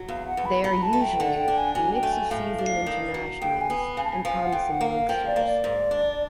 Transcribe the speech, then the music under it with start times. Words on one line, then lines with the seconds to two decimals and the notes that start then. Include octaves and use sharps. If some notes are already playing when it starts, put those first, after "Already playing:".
They are usually, a mix of seasoned internationals, and promising youngsters.
Already playing: F#3
0.08 E2 F5
0.27 F#5
0.37 E2
0.45 B5
0.64 F#3 B5
0.82 A5
0.93 A3
1.01 G5
1.20 D3 F#5
1.38 G5
1.48 D4
1.58 G#5
1.75 F#3 G#5
1.94 G5
2.03 A3
2.12 G#5
2.31 A2 F5
2.58 D4
2.86 D#3
3.14 F#3
3.42 D#2 G5
3.61 G#5
3.70 B3
3.97 C#3 G#5
4.04 A5
4.11 G#5
4.25 F3 G#5
4.43 F#5
4.52 F2 G5
4.71 F#5
4.81 A#3
4.90 F5
5.09 F3 G5
5.26 D5
5.36 A#3
5.46 D5
5.64 G#2
5.91 D4